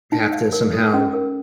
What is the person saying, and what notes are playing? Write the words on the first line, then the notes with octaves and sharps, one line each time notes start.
have to somehow
D#4
F5
A#4
A4
C#4
A#4